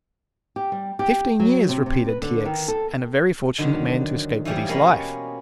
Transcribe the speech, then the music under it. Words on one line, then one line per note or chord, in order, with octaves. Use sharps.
"Fifteen years," repeated T. X., "and a very fortunate man to escape with his life."
G4
G3
G4
F#3
C3
C3
B4
D3
D#3
A4
D3 D#3 F#3
E3 F3 G3 G4 G#4
B2 A#3 C#4 D#5 F5 B5